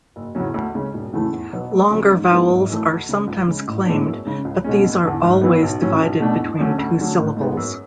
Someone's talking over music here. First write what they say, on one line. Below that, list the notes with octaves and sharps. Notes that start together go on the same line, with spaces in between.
Longer vowels are sometimes claimed, but these are always divided between two syllables.
F#1
E2 C#3 F#3 C#4
D2
C#3 G#3 C#4
E1
E2 C#3 E3 A3
E2
B2 F#3 B3
D2
C#3 F#3 C#4
G#2
G#3 B3 E4
G#1
F#2 E3 A3
D2
C#3 G#3
C#2
C#3 G#3
A1
A2 G#3 B3 D4
F#2
C#3 G#3
C#2
B2 G#3 C#4
F#1
E2 D3
G#1
F#2 E3 B3
B1
A2 F#3 C#4
B1
B2 A3 D4
E2
D3 F#3 A3 C#4
D2
D3 F#3 A3 C#4
A1
G#2 G#3 B3
F#2